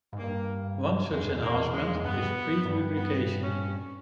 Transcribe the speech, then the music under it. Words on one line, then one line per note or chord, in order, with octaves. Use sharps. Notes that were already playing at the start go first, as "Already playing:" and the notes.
One such enhancement is pre-lubrication.
G#2
G2 A#3
E2 G#3
G2
E2
A#3
G#3
E2
G2 B3
G2
B3
C#4